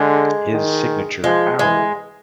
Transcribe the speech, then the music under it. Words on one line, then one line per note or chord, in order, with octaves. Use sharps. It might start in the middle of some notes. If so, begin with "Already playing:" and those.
His signature ow!
Already playing: D3 G#3
D#3
F3 G#3
E3 G#3